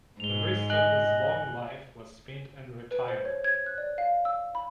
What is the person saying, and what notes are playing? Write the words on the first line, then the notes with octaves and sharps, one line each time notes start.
The rest of his long life was spent in retirement.
G#2 F7 G7
D#5 G#5 F#6 F#7
B4
C5
C#5
G#6
F#6
D5
F5
E6
B5